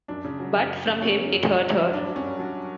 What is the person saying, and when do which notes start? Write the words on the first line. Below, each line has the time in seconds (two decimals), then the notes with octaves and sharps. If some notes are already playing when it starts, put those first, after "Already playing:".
But from him it hurt her.
0.08 F#2 D4
0.25 C#3
0.40 F#3
0.55 F#2
0.70 F#2
0.86 C#3
1.01 F#3 C#4
1.16 F#2
1.32 F#2
1.47 C#3
1.63 F#3
1.78 F#2
1.93 G2 D4
2.08 F#3
2.16 C#4
2.23 G2
2.39 F#3 D4